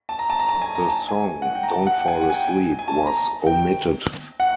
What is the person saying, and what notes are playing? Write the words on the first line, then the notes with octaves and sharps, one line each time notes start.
The song "Don't Fall Asleep" was omitted.
A5
A#5
A5
A#5
A5
G#5
A#5
A5
G#5
F#5
G5
A#5
A5
F#5
G5
G#5
F#5
G#5
G5
G#5
G#5
A5
A#5
G5
F#5